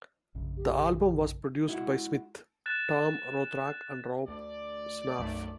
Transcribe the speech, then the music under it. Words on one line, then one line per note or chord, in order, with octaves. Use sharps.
The album was produced by Smith, Tom Rothrock and Rob Schnapf.
A#1 F#2 C#3
G4
G#3 E4 F#4
F#6 A6 E7
D2 D5
B1 F#2 A3